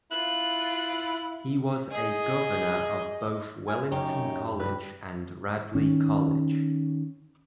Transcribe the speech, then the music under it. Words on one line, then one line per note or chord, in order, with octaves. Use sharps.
He was a governor of both Wellington College and Radley College.
E4 F4 F#6
G#4 D#5
G#5
F#2 D#4 G4 C#5
G2 B4
D#3 C#4